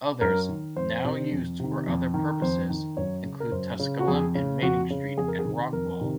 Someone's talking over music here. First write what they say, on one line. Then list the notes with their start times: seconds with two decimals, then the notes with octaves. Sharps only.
Others, now used for other purposes, include Tusculum in Manning Street and Rockwall.
0.21 F#2 A#4
0.49 D#3
0.76 F2 C5
1.04 C3 D#3
1.31 F2
1.60 C3 D#3
1.87 F2
2.14 D#3
2.42 F2 C5
2.69 D#3
2.97 F#2 C#5
3.24 C#3
3.40 A#4
3.52 F#2 C5
3.79 C#3
3.99 F#4
4.08 F2 G#4
4.35 C#3
4.62 F2 F#4
4.90 C#3
5.18 F2 G#4
5.28 A#4
5.39 G#4
5.45 C3 D#3
5.73 F2 A#4
6.01 C3 D#3